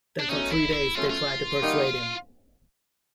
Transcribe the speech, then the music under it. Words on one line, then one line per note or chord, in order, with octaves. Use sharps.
Then for three days they tried to persuade him.
D4
B2 F#3 A3 C#4 D#4
E4
E4
B2 F#3 A3 C#4 F4
F4
D#3 G3 A#3 D#4 F#4